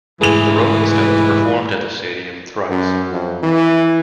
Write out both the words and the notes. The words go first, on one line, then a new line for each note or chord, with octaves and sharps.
The Rolling Stones performed at the stadium thrice.
G#2 E3 A3 G#4 F7
F#2
F2
E3